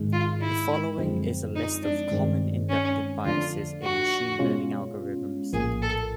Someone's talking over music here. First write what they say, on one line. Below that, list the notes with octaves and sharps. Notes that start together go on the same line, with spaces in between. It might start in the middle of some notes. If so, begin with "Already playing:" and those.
The following is a list of common inductive biases in machine learning algorithms.
Already playing: G#2 D#3 G#3
F4
E4
F#2 D3 F3 G#3 C4
D#4
D4
G2 D#3 G#3 C4
C#4
F2 D3 F3 A3 D4 F4
F#4
B2 G#3 C#4 F4
A#1 A2 F3 A#3 G#4
A4